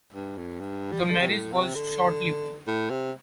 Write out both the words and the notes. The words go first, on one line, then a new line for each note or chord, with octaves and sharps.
The marriage was short-lived.
G2
F2
G2
G3
F3
D3
C3
A2
C3
D3
A2
C3